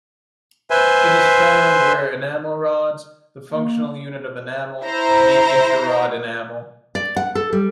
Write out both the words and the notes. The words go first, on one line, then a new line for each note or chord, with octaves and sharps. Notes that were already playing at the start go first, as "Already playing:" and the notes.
It is found where enamel rods, the functional unit of enamel, meet interrod enamel.
B4 C5 E5 G#5 C6
A#3
E4 C5 A#5
D5
F#5
A4
G3